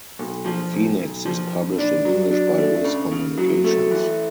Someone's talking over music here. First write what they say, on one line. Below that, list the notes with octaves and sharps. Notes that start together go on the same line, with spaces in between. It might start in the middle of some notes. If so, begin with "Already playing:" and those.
Phoenix is published in English by Viz Communications.
B1
F3
B1
B1
F3
B1
D4
F#3
D4
A3
C#3
C#3
F#3
A3
E3